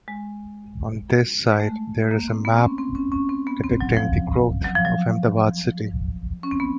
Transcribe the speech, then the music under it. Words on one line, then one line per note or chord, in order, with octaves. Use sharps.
On this site there is a map depicting the growth of Ahmedabad city.
G#3
G#3
A3
A#3
C4
B3
C4
C#4
C4
C#4
C#4
C4
B3
C4
F#3
F3
F#3
F3
F#3
C#4
C4
B3